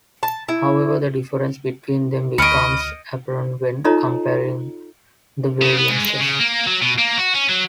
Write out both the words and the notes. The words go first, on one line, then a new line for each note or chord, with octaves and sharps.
However, the difference between them becomes apparent when comparing the variances.
A5
E4
D2 D#5 B5 C#6 F6 C#7 D7
D#4 F4 A4 C#5 D#5 A#5
C#3
B3
G#2
G#3
C#3
A#3
F#3
B2
A#3
F#4
C#4
F#3